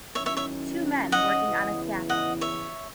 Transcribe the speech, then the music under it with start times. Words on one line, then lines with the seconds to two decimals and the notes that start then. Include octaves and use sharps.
Two men working on a scaffold.
0.15 D#3 F#3 C#4 E4 C#5 E5
0.26 C#5 E5
0.37 C#5 E5
1.12 D#5 F#5
1.44 E2 C#3 E3 B3 E4
2.09 D#5 F#5
2.41 C#5 E5